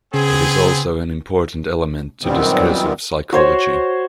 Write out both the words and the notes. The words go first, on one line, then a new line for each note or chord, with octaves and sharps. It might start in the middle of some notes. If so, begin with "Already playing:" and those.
It is also an important element to discursive psychology.
C#3 B3 C4 G#4
F#2 A#2 D#3 G3 B3 C4
F#4 C5 C#5